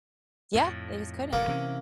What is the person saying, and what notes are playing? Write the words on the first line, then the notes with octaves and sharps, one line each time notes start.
Yeah. They just couldn't.
F2 A2
F1 F2 A2 A#3
C3 E3 C#4